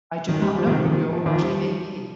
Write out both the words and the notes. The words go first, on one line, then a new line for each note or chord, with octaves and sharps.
I do not know who your party may be.
D#3
G3
F3
D#3
C3
D#3
F3
D#3
F3
G3